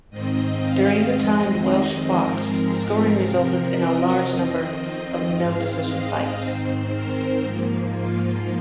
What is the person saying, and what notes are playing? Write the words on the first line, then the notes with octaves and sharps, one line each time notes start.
During the time Welsh boxed, scoring resulted in a large number of no-decision fights.
G#2 D#3 C4 D#5
F5
F2 D#3 G#3 C4 D#5
G#2 F3 G#3 C4 A#4
C3 F3 C4
D#5
F2 D#3 C4
D#5
G#2 G#3 C4 F5
D#5
G#2 D#3 C4 C5
A#4
G#2 F3 A#3
F4